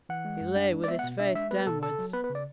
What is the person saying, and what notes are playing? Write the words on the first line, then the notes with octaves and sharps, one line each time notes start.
He lay with his face downwards.
E3 F#5
G#3
F#2
D4
G#3
D5
B3 E5
F#5
B2
D4 E5
G#3 E5
B3 B4
B2 A4
C#3 A4
F#3
B3 B4
B4
C#3
D5